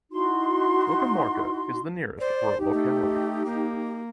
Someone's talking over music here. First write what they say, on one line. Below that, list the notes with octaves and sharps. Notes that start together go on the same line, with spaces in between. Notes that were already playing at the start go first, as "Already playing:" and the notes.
Mukhomorka is the nearest rural locality.
D#4 E4 F#4 C6
C5 D5
D#4 G4
A3
A#3